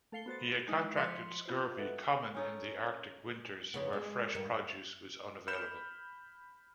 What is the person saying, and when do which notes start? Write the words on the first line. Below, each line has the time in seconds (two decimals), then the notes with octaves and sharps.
He had contracted scurvy, common in the Arctic winters where fresh produce was unavailable.
0.12 A3 A4 F5 C7 C#7 G7
0.26 B3 F#4 C5 A6
0.68 F#3 G#3 D#4 E4
0.96 F3 C5 D#5 C6 B6 C#7
1.46 B3 F4 C5
1.78 F#4 A4 B4 D#5 E5
2.35 C#4 D#4 A4
3.74 F2 C#3 B3 D4 D#4 G#4
3.93 G#3 G#4
4.35 G2 D#3 A#3
5.48 B5 F6 G6 E7